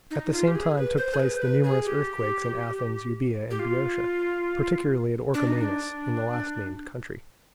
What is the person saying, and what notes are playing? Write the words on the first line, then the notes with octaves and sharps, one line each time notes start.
At the same time took place the numerous earthquakes in Athens, Euboea, and Boeotia, particularly at Orchomenus in the last-named country.
D#4
F4
G4
G#4
B4
C5
G#4
B4
C5
B4
G#4
G4
G4
F4
D4
D#4
D4